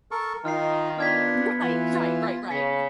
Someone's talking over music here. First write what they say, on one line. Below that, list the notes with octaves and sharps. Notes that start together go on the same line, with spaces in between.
Right, right, right, right.
A4 A#4 C#6
D#3 D#4 F4 F6 C7
B3 D4 F4 F6 G#6 B6
E3 F4
C#3 B6 C#7